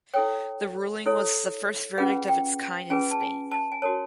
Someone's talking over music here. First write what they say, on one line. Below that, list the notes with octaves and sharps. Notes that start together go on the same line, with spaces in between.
The ruling was the first verdict of its kind in Spain.
E4 A4 C#5 G5
E4 A4 C#5
C#4 F4 G#4 B4 F#5
G5
C#4 F4 G#4 B4 G#5
A5
G#5
A5
G#5
F#4 A#4 C#5 A5